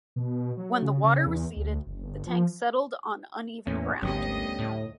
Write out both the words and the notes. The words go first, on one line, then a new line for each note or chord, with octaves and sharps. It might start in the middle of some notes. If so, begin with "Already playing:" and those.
When the water receded, the tank settled on uneven ground.
B2
F#3
C#3
C#3
E2
D2
F#1
G1
F3
E2 A2 A#3 C#4
G#1 D2 D3 G3 B3 C#4 G4 D#5
A2